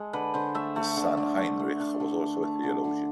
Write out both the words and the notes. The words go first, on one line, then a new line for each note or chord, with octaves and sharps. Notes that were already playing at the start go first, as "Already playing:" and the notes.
His son Heinrich was also a theologian.
Already playing: G#3 A4
D3 B4
D3 C5
A3 E5
A3
D3
D3
A3
A3
D3
D3
A3
A3
D3
D3